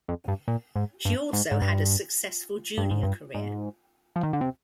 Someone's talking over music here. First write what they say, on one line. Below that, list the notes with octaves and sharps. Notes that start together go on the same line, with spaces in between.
She also had a successful junior career.
F2
G2
A#2
G#2
G2
G#2
G#2
G2
G2
G#2
G2
G#2
F3
D#3
D3
C3